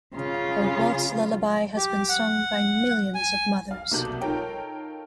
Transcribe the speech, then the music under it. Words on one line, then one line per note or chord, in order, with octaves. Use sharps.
Her waltz-lullaby has been sung by millions of mothers.
C#3 F4
G4
F#5
G#5
F5
C2 B2 A#3 A4 G6 F#7
D#4 F4 A4 A#4 C#5 G5